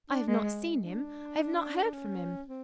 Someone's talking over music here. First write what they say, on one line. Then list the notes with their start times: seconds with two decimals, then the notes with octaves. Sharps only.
I have not seen him; I have not heard from him.
0.09 D4
0.28 G#3
0.83 D4
1.83 D4
1.93 C#4
2.48 C4